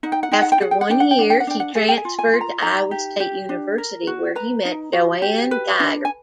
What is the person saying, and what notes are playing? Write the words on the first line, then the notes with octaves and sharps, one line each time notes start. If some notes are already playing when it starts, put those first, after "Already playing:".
After one year, he transferred to Iowa State University where he met JoAnn Geiger.
D#4 F#5
G5
F#5
D#4 G5
F#5
G5
G#4 F#5
G5
F#5
D4 G5
F#5
G5
D4 F#5
G5
F#5
D4 G5
F#5
G#4 G#5
G5
G#5
F4
G#5
F4
A#5
D#4 A#5
G4
G4
D4
A#4
F#4
B4 A#5
D#4
F#4
G4
B4
D4
G#5